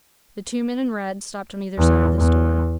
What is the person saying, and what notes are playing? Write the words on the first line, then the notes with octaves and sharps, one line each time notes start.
The two men in red stopped on either side of this door.
E2
E2